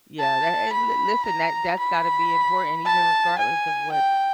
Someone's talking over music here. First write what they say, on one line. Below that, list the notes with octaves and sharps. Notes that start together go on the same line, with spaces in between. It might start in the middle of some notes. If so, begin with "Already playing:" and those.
Yeah, that and li listen, that that's gotta be important even regardless of what
A5
B5
A#5
B5
A5
G#5
G5